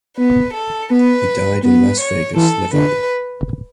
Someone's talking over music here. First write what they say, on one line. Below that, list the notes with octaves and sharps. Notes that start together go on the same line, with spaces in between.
He died in Las Vegas, Nevada.
B3 B4
A4
B3 B4
B3 B4
C#5
E3 A4
D3 B4